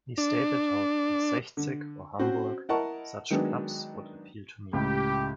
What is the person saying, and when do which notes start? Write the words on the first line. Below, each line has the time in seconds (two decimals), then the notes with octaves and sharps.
He stated how the Sechzig or Hamburg - such clubs would appeal to me.
0.18 D4
1.57 D3
2.19 C4 C#4 F#4 C5
2.69 E4 A#4 D#5 F#5 A5 C#6
3.30 D#3 F#3 G#3 B3 D4
4.73 C#2 A2 C#3 G4